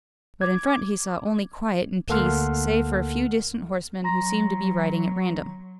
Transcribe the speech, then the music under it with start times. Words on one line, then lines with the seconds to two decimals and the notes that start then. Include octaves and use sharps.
But in front he saw only quiet and peace, save for a few distant horsemen who seemed to be riding at random.
0.41 D6 G#6
2.09 D2 A#3 A4 F#5 C6 F6
4.04 F#3 A#5 C6 A#6